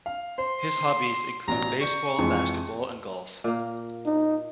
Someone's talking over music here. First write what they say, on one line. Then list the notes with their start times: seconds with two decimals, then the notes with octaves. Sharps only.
His hobbies include baseball, basketball and golf.
0.06 F5
0.38 C5 C6
1.48 A1 B2 D5 A#5
1.81 D5 C#6 G6
2.18 F2 E3 G#3
3.44 A#2 A#3
4.06 D#4